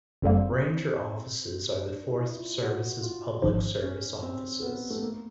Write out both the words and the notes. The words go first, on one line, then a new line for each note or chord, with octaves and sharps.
Ranger offices are the Forest Service's public service offices.
G1 F#2 D3 G3 A#3 C4
D4
E4
F4
F#4
F4
G#1 G#2 F3 C#4
C#4
C4
B3
A3
A#3